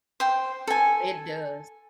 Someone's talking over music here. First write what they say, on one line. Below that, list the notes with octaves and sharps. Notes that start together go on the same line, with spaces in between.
It does.
C5 G5
A4 G#5